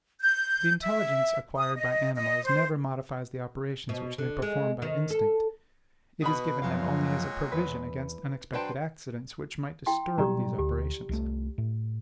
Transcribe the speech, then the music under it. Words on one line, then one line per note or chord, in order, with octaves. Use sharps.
The intelligence acquired by animals never modifies the operations which they perform by instinct: it is given them only as a provision against unexpected accidents which might disturb these operations.
G6
E5
D#6
D#5
D#5
C5
B2
D3
G#3
D#3
A4
B2 G#4 B4 B5
F#2 A#2 F3 F#3 G#3 F5
E2 B4
F#3 D4 B4 C5 G5 A5
E4 G5 C6
B2 F#3 G3 G4 D5 A#5
D2 G4
C2 F#3 A3
A2